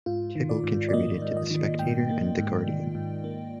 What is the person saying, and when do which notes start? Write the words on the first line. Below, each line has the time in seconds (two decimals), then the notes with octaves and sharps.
Tickell contributed to "The Spectator" and "The Guardian".
0.06 G#2 F4
0.35 D#3
0.49 D5
0.64 G#2
0.89 D5
0.93 A#3 D#5
1.22 G#2
1.37 D#5
1.51 D#3
1.79 G#2 G5
2.09 A#3
2.38 G#2
2.67 D#3
2.95 G#2
3.24 A#3